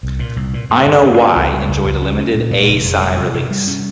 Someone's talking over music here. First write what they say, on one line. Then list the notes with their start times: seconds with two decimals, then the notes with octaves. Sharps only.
"I Know Why" enjoyed a limited "A"-side release.
0.03 C2
0.19 A#2
0.36 C2
0.54 A#2
0.70 G2
0.86 G2
1.03 G2
1.19 A#3
1.36 C#2
1.52 G3
1.68 C#2
1.85 C#2
2.02 C#4
2.19 C#4
2.34 A#2
2.51 A#2
2.69 F1
2.85 F1
3.01 G3
3.17 C3
3.33 G2
3.51 G3
3.67 C#4